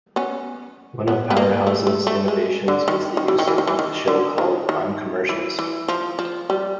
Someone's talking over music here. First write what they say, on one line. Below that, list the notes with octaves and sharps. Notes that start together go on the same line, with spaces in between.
One of "Powerhouse's" innovations was the use of what the show called Uncommercials.
B3 C#4
B3
B3
A#3
A3
A3
A3
G#3
D3
D#3
D#3
E3
D#3
E3
D#3
E3
D#3
D3
D#3
D#3
E3
E3
F3
F3
G3